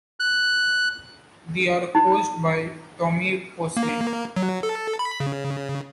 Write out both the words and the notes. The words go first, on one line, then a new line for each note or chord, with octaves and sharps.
They are coached by Tommie Posley.
F#6
D#4
A#3
F#3
A4
B5
C#3